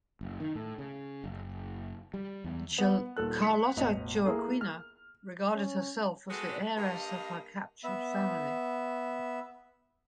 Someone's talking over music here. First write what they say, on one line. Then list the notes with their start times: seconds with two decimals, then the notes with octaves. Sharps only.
Carlota Joaquina regarded herself as the heiress of her captured family.
0.21 F#1
0.40 D#3
0.55 A2
0.79 C#3
1.24 F#1
2.14 G3
2.44 E2
2.78 B3 F#5
3.17 D#1 A4 F#6
3.42 B6 C#7
3.76 E1 A1 D#5 F7
4.25 A#3 E4 G#4 A4
4.61 F6
5.55 C#4
6.30 G#3 B3 F#4 G4 A4
6.77 G2 A#3 B4 C5 D#5
7.84 B3 E5